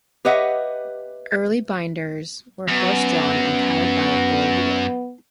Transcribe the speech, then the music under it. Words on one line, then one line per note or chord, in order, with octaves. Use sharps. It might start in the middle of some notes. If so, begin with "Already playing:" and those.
Early binders were horse-drawn and powered by a bull wheel.
G4 B4 C#5 D#5 E5 F#5
F#2 B3